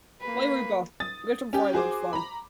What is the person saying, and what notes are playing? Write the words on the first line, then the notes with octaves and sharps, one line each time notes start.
Play Repo, with some friends, it's fun.
A#3 B4
D#6 A6
C#4 G4
F#4 G#4 C5 D6
A#5 B5